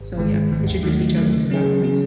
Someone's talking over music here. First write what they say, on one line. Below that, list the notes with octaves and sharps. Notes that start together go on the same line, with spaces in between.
So, yeah, introduce each other to a lotta things.
G#1
G#2 D#3 G#3
G#1
G#2 D#3 G#3
D#2
D#3 F#3 A3 D#4
D#2
D#3 F#3 A3 D#4
C#3
F#3 C#4 G#4
C#3
F#3 C#4 G#4